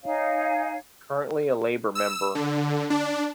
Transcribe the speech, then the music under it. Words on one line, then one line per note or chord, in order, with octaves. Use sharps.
Currently a Labour member.
D#4 C#5 F5 G#5
E6
D3
D4